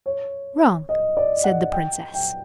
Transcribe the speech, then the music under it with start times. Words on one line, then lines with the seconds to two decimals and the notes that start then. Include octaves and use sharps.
'Wrong,' said the Princess.
0.06 C#5
0.89 D#5
1.17 D5
1.44 F#5
1.72 G5
2.14 G5